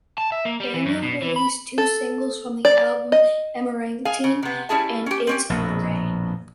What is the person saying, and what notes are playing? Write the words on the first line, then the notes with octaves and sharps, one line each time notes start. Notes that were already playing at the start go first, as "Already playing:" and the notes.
Enya released two singles from the album, "Amarantine" and "It's in the Rain".
A5
E5
A#3
G3
E3
F#2
B2
E3
B5
A4
D5
D#5
G#4 F5 G#5
C#3
C3 B3
G3 C#4 E4 G#4 A5
C#4 G4
C4 C#4 G4
A#1 F2 B2